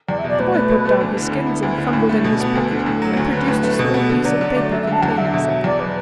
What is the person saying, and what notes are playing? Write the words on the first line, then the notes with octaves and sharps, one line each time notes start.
The boy put down his skins and fumbled in his pocket, and produced a small piece of paper containing something.
E2 D5
E5
B2 D5
A2 B4
A3
B2
A3
D2 D4
D3 E4
D3 E4
B3
D2
D3
A2
A3
B2 B3
D4
B3 F#4
D2 A4
D3
A2
F#3
D2 F#4
D3 B4
A2
A3
B2 A4
F#4
B3
A4
D3 B4
F#3 D5
D3
A3
F#2 E5
E5
D3 A5
E2 F#5
D3 E5
B2 E5
F#3
E2 D5
B2 B4